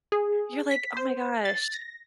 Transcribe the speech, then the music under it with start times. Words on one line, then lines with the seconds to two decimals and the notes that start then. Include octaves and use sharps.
You're, like, "Oh my gosh."
0.12 G#4
0.71 B6
0.97 C5
1.45 A6
1.73 A#6